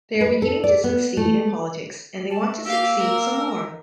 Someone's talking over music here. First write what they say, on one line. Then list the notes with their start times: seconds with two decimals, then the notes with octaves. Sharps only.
They are beginning to succeed in politics and they want to succeed some more.
0.21 B4
0.42 A4
0.64 D5
0.84 B3
1.17 A3
2.30 A3 A5
2.65 A#3 G4 F5 E6
2.99 A#4